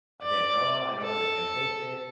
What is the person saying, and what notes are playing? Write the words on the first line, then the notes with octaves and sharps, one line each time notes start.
I can't draw, I don't understand painting,
D5
A4